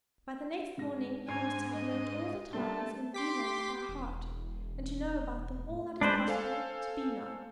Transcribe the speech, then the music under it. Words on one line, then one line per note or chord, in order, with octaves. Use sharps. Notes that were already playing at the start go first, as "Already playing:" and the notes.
By the next morning he was to have learnt all the towns in Zealand by heart, and to know about them all that is possible to be known.
G#2 G#3 A#6
G#2 D4 C5 G#5 A#5 C#6 G#6 C7
D#5
B4
G3 A3 A#3 D4 A5 C6
G4 C6 D6 B6
E1
A2
G#3 D4 B4 C5
A4 C5 F5 G#5